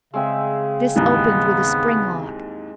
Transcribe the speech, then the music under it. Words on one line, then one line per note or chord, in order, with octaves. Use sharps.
This opened with a spring lock.
C#3 G#3 C4 E5
D#2 G#2 E3 B3